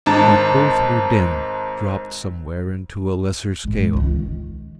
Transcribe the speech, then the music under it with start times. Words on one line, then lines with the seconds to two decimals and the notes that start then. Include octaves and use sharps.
But both were dim, dropped somewhere into a lesser scale.
0.06 G#1 G#2 A5
3.65 G#2 G#3
3.93 C#2 D#3
4.19 D#3